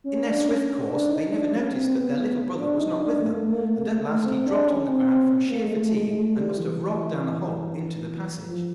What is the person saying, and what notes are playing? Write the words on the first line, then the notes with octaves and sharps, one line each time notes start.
In their swift course they never noticed that their little brother was not with them, and at last he dropped on the ground from sheer fatigue, and must have rolled down the hole into the passage.
C#4
D4
C#4
C#4
D4
D#4
D4
C#4
C4
B3
B3
D4
D#4
D4
A3
A#3
A3
A#3
A3
A#3
A3
A#3
A3
C4
D4
C#4
C4
C4
B3
A#3
G#3
A3
G#3
G#3
A3
G3
E3
F3